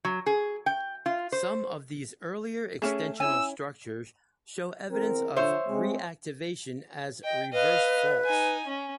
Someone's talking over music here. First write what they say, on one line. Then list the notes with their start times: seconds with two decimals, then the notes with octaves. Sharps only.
Some of these earlier extensional structures show evidence of reactivation as reverse faults.
0.05 F#3
0.26 G#4
0.66 G5
1.06 F4
1.32 C5
2.82 A3 C#4 D4 G#4 E7
3.20 C#4 E4 G#5 E6
4.91 E2 C4 A#4
5.37 D3 F3 C5 C#5 E5
5.67 G#3 C4
7.24 D#5 G5
7.53 B4 D#5 F5
8.26 D#4 G#5
8.67 C#4